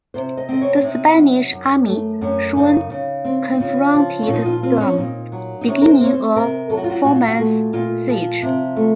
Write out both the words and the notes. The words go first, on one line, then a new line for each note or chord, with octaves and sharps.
The Spanish Army soon confronted them, beginning a four-month siege.
C3 C5
D#5
C4 D#5
C#5
C3 D#4
F#3
F#2
A3
F#2 C#4
C#3 D#4
C#3
C4
D#4
C#3 F4
F3
C#4
A#2
D#4
F4
C4 F4
C#4
A#2 D#4
F#3
D#4
C3 C#4
A#4
C5
C4 C#5
C5
C3 A#4
F#3 A4
F#4
F4
F#4
A#2 F#4
F4
F#4
A3
A#2 F4
F3
C3
A3